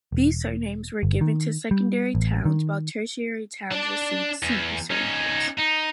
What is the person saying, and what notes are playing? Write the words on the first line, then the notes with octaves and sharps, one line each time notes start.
"B" surnames were given to secondary towns while tertiary towns received "C" surnames.
E1
G1
D#3
G3
A1
D#3
D4 D5
E2
C#4 D#4
D#4